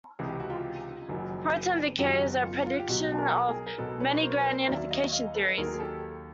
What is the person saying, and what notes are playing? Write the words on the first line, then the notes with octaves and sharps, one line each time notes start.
Proton decay is a prediction of many grand unification theories.
C#2 C3 E3 G#4
G4
F#4
F4 G4
F#1 F#2 D#3 F#3
F#1 F#2 D#3 F#3 F4 G4
F#4
F4
F4
G4
B1 B2 F#3 F#4
G#4 A#4
G#4 A#4
A#4
B1 B2 F#3 A4 B4
B4 C#5
A#4 C5
B4
A#4 C5
D#2 D#3 F#3 D5 E5
D#5 F5
D#5 F5
A4 B4
D#2 D#3 F#3 G#4 A#4
G#4
G4 A4